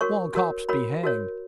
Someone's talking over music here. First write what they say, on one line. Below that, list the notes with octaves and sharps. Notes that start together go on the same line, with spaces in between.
Small cops be hanged!
F#4 A#4 C#5 C#6
F#4 A#4 C#5
F#4 A#4 C#5 B5
F#4 A#4 C#5